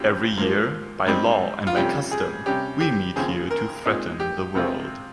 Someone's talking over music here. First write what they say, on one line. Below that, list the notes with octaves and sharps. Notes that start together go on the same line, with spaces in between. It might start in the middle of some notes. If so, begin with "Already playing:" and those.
Every year, by law and by custom, we meet here to threaten the world.
Already playing: D#2 C#3 F3 C4 G4
G#2 F3 A#3
G#2 G3 C4 D#4
F4
F2 C3 G3 C#4 G4
G#4
C3 G3 C#4 G4
G4
D#2 C#3 F3 C4 G#4
A#4
A#2 G#3 C4 D#4
G4
C3 F3 G#3 C4 F4